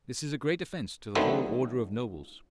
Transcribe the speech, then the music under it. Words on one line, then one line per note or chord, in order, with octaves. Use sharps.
This is a great offence to the whole order of nobles.
D3 D#3 F#3 A3 B3 C4